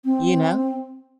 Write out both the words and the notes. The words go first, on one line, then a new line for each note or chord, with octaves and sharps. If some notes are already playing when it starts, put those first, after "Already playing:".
you know?
C4